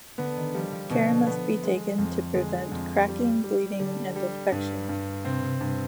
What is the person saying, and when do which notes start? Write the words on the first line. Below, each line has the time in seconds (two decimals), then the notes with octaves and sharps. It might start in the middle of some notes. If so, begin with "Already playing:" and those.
Care must be taken to prevent cracking, bleeding, and infection.
0.18 D3 B3
0.37 D#3
0.54 F3 G3
0.72 F3
0.90 B2 D3
1.27 B3
1.63 G#3
1.98 F2
2.35 D3 G#3
2.72 F2
3.08 G3
3.44 G3
3.79 D3 G3
4.16 G3
4.52 G2
4.89 G2
5.25 C3 C4
5.43 C3
5.61 G2 C3